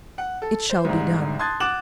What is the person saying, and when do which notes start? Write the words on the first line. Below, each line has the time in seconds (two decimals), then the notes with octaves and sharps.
"It shall be done!"
0.18 F#5
0.42 A4
0.70 C5
0.85 C2 G#2
1.39 A5 C6 D#6 F#6 G#6 A6
1.60 F#5 D6 F#6 A6 E7 F#7